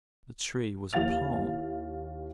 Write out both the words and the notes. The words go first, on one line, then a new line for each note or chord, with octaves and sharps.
The tree was a palm.
D#2 E4 F5 A6 F7